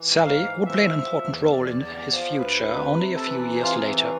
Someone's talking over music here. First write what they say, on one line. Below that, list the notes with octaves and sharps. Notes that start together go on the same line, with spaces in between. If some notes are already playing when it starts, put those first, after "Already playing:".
Saly would play an important role in his future only a few years later.
Already playing: E3
G#2
F5
E3
F3 E5
F3
E2
E2 D5
E2
F3
D2 B4
C3
C3
A4
E3 B4
C3 G#4
F4
G#4
E3 A3